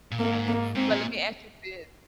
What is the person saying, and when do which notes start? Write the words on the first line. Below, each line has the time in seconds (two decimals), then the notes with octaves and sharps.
I agree. But let me ask you this.
0.12 A#2
0.19 G#2 A#3
0.47 A#3
0.75 G#2 C4
0.91 A#2